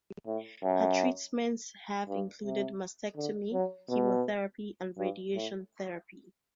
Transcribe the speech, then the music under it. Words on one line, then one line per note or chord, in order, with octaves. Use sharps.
Her treatments have included mastectomy, chemotherapy and radiation therapy.
A2
F#2
G2
C3
D3
F#3
B2
G2
A2